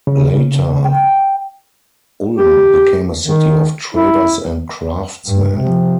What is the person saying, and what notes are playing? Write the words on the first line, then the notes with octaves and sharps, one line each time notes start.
Later, Ulm became a city of traders and craftsmen.
C#3
G5
G4
D#3
E4
G2
C3 F3